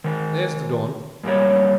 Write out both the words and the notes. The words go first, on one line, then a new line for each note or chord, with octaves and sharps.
"There's the dawn."
D#3 C5
F#2 A#2 G3 C#5